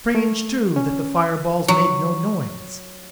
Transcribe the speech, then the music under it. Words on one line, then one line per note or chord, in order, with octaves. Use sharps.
Strange, too, that the fireballs made no noise.
A3
C#4
F#3